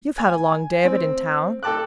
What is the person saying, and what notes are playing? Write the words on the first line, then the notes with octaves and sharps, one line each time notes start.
You've had a long day of it in town.
G#5
C4
A4 G5 A5 D6 F#6